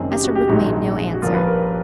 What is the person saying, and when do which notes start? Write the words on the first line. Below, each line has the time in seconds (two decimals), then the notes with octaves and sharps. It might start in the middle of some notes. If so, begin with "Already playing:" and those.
Esterbrook made no answer.
Already playing: F#1 F#2 D#3 G#3 C4 G#4
0.11 G4
0.24 F#4
0.35 G4
0.48 A#1 G#2 D#3 F#3 F#4
1.14 F#4
1.22 G1 G2 D3 F3 A#3 F4
1.34 B4
1.47 A#4